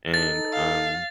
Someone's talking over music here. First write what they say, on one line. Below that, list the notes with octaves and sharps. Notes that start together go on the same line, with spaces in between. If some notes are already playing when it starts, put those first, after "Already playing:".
And, um,
D#4 A4 A6
F5